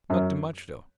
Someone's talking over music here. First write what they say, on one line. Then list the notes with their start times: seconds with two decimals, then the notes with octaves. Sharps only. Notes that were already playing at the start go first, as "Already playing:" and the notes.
Not too much, though.
0.10 F#2